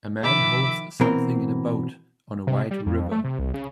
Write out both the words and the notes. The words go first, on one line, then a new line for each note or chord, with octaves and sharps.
A man holds something in a boat on a wide river.
D#3 F3 E5 B5 D6 E6
B2 E3 C4 A#4
C3
G3
F2
A3
C3
C2
C#3